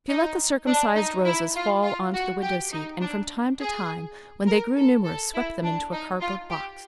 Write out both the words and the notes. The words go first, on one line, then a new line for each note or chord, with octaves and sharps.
She let the circumcised roses fall on to the window-seat, and from time to time, when they grew numerous, swept them into a cardboard box.
D#4
D4
D#4
E4
F4
F4
F#4
G4
D#4
D4
G#4
A#4
A4
A4
E4
D4
D#4
F4
G4